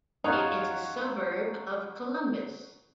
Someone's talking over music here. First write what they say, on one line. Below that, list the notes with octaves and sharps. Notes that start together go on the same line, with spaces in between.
It is a suburb of Columbus.
F#2 D#4 F4 C#5 F#6